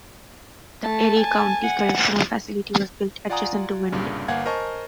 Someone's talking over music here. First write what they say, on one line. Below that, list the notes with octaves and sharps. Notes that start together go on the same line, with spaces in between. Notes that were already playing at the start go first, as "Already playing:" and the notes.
The Erie County Correctional Facility was built adjacent to Wende.
A3 A5
G#5
F#5
F4 D5 F#5 G#5 A#5 D#6
C2 G2 A#2 C#3
G1 A#3 F5 F#5 G#5 G#6
A#4 C5 D#5 G#5 A5 C#6